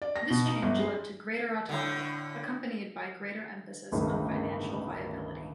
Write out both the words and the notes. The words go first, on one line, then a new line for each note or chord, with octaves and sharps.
This change led to greater autonomy, accompanied by greater emphasis on financial viability.
D5
A#6
B2
D#4
G1
G#3
A2 D3
G1 C#2 A2 D#3